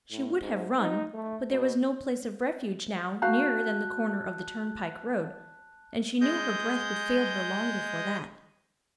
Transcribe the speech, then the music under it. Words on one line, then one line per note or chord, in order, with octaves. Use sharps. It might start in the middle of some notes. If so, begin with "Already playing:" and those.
She would have run, but there was no place of refuge now nearer than the corner of the turnpike-road, and she knew her breath would fail her long before that.
A2
G#2
D#4
A3
B2
F#4 F5 A5 A#5 F#6 G6
G#3 D#5 G6